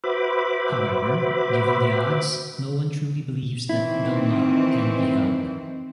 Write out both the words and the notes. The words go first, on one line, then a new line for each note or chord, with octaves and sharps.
However, given the odds, no-one truly believes that Delnoch can be held.
F#4 B4 C5 E5 B5 D6
D#3 E3 C4 E4